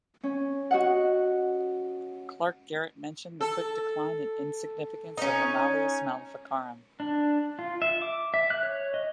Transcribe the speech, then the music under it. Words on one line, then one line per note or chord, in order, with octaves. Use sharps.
Clarke Garrett mentioned the quick decline and insignificance of the "Malleus Maleficarum".
C#4
F#4 D#5 F#5
A4
C#4 D#4
D4
F4
E5
D6
E5
F#6
C#5
D#5